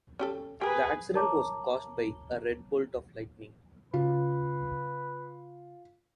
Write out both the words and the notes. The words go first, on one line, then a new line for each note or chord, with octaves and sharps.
The accident was caused by a red bolt of lightning.
C#4 G4 A4
G4 G#4 A#4 B4
A#4 C#5 A5 A#5 D6
C#3 F4 B4